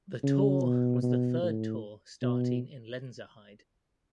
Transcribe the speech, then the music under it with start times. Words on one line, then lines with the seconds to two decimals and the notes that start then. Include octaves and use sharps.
The tour was the third tour starting in Lenzerheide.
0.23 C#3
0.63 B2
1.03 B2
1.43 A2
2.22 B2